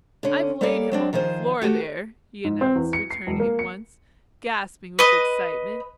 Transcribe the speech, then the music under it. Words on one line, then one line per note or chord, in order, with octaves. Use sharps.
"I've laid him on the floor, there," he announced, returning at once, gasping with excitement.
D3 C#4
G3 A#3 A4 C#5 D5
F#3 C4 D4
D#3 F3 G#4 C5
A3 F#4 G4
G#2
C4
E2
C#7
C7
E1
A#3
C#7
B4 D#5